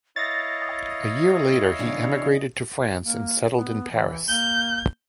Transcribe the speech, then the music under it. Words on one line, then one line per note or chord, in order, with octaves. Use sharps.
A year later, he emigrated to France and settled in Paris.
E4 C#5 D#5 F5 A6 A#6
E2 C#3 D4
A#3
B3
E3
A#3 G6